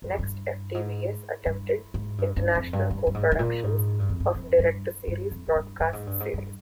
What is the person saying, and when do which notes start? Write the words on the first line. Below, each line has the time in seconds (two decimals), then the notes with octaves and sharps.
Next FtvS attempted international co-productions of direct-to-series broadcast series.
0.02 G2
0.10 F2
0.19 G2
0.74 G#2
1.46 G2
1.94 G#2
2.18 G2
2.37 G2
2.55 F2
2.73 G2
2.91 G2
3.07 G2
3.14 G#2
3.32 G#2
3.39 A#2
3.63 G#2
4.00 G2
4.09 F2
4.20 G2
4.35 F2
4.59 G2
5.07 G2
5.31 F2
5.48 F2
5.55 G2
5.80 G2
5.93 G#2
6.07 G2
6.20 G#2
6.34 G2